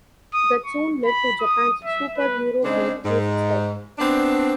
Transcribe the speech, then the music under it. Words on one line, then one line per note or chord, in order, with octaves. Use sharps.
That soon lead to Japan's Super Eurobeat music style.
D#6
C#6
B5
D#6
E5
B4
C#3 G#3 C4 D4 D#4
G#2
B3 C4 D4